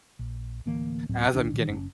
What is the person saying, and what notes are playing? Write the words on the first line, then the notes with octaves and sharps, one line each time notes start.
as I'm getting
A#1
D1 D2 E3 A#3
D1 A2 F#3 C4
D1 B1 D#3 D4
A#2 D#3 E3
F#1 C#4